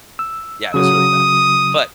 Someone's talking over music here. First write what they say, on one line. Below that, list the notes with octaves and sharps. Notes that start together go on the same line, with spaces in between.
Yeah, it was really bad. But
E6
C#3 F#3 D#6